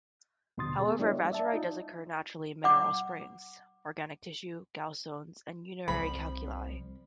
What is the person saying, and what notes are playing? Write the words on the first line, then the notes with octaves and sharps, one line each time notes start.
However, vaterite does occur naturally in mineral springs, organic tissue, gallstones, and urinary calculi.
D#2 B2 D3 C6 D#6 A6
B3 G#4
G3 A#3 D4 E4 C#5 D#5
D5 E5 A5
D#4 F4
F#5 D6
C2 F3 B5